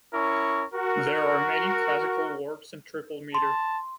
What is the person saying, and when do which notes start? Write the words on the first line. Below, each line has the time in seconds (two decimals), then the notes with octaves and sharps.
There are many classical works in triple metre.
0.14 C#4 E4 A#4 C#6
0.74 F#4 A#4
3.34 A5 C6